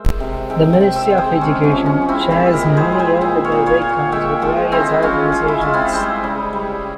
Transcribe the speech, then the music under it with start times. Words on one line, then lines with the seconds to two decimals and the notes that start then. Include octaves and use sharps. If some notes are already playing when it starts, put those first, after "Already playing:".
The Ministry of Education shares money earned by Veikkaus with various organizations.
Already playing: G#3 A#4 C5 E5
0.20 C3
0.50 G#3 E5 G5
0.73 E5 G5
0.81 C3
0.95 C5 E5
1.10 G#3
1.18 G#4 C5
1.41 C3 C#4
1.64 C#4
1.71 F3
1.86 C#4
2.02 G#3
2.09 C4 E4
2.31 A#2 E4 G4
2.53 G4 A#4
2.62 G#3
2.77 G#4 C5
2.92 A#2
2.99 G#4 C5
3.21 A#2 C5 E5
3.44 C#5 F5
3.52 A#2
3.66 C#5 F5
3.82 A#2
3.89 C#5 F5
4.12 G#3 E5 G5
4.42 G#3 F4 G#4
4.72 G#3 C4 E4
5.03 G#3 C#4 F4
5.32 G#3
5.48 E4
5.61 G#3 F4
5.74 C4 E4
5.93 G3 G#4 C5
6.24 C#3
6.53 G3